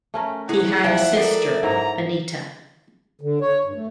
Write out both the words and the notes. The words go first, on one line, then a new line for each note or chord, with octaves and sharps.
He had a sister, Anita.
A3 C#4 A#4
E4 G#4 F#5
F3 E5 G5
A4 A#4 D5
G#2 F#3 E4 A#5
D3
C#5
G2
A3